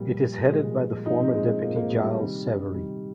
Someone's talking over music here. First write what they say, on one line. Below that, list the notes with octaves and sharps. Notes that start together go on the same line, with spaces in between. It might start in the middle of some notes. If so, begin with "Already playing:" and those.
It is headed by the former deputy Gilles Savary.
Already playing: A#2 F3 G3
A#2 F3 G#3
A#2 F3 D#4
C4
G#3
G#3
A#2 F3 A#3
A#3
G#3
G3
C3 D#3
C3 D#3 G3